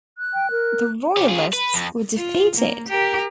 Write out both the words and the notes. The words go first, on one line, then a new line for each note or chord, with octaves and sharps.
The royalists were defeated.
F#6
G5
A#4
C#4 G4
F4 G#4
B4
F2
F4
A#3
G4 A#4